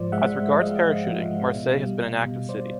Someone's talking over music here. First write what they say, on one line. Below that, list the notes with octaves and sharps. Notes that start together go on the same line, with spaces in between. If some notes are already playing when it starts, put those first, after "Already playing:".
As regards parachuting, Marseille has been an active city.
Already playing: G#2 F3 C5 D5
G#3 E5 F#5
G#3
G#3 D#5 F5
G#3
F3
G#3
B2
G3
B2
B2
G3 C5 D5